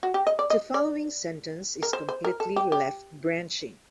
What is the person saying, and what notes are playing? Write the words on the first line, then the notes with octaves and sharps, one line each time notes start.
The following sentence is completely left-branching.
F#4
G4
D#5
D5
D#5
D5
A#4
C5
C5
A#4
A4
G4
G4